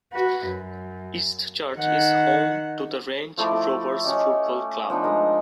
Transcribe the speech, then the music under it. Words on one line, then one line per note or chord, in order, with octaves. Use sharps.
Eastchurch is home to the Range Rovers Football Club.
F#4 B4
F#2
D#3 F#5
F3 A3 E4 D6
C#4 G4 D#5
F3 B3 D4 D#4
G#3 A#4